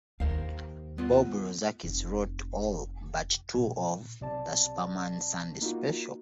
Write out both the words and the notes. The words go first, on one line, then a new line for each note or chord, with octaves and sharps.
Bob Rozakis wrote all but two of "The Superman Sunday Special".
D#2 A#4 C5 F5
B3 F4
F1
A#2 D4
B1 C3 D5 A5
A#3 D#4 F4 F#4